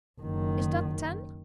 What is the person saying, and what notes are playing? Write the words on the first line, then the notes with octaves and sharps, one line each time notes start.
"Is that ten?"
F#1 D#3